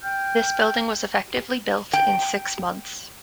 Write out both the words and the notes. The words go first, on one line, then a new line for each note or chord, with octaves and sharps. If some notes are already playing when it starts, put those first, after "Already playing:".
This building was effectively built in six months.
G5 F6 G6
G5